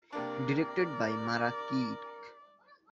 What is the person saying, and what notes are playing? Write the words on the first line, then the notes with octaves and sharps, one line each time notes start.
Directed by Mara Kiek.
C3 A#3 D4 A#4 D5